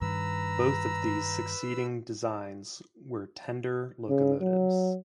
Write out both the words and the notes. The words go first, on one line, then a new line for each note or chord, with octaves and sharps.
Both of these succeeding designs were tender locomotives.
G2 D#3 B4 A#5 E6
C#3
F#3